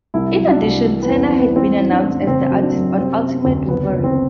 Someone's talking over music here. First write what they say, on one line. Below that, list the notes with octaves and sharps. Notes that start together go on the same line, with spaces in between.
In addition Turner had been announced as the artist on "Ultimate Wolverine".
C2 E4
F#3
D4
C2
E3
B3
E2
C4
E3
B3
A1 C4
A2
D4
A1
D4
F#1 C4
F#3
D4
F#2
C3 C4
C3
D2
F#1 B3
F#1
C4